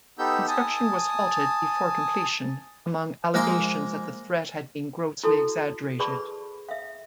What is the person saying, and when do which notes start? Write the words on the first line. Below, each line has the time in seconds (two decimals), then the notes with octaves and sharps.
Construction was halted before completion, among allegations that the threat had been grossly exaggerated.
0.19 B3 D#4 G4 A4 E6 G6
0.48 G#5 A5 D#6
3.34 F3 G#3 A#3 A#4 D#5 C6
5.23 E4 F#4 A4 A5
5.99 G#4 B4 D5 A5 B5 C#6
6.69 E5 F5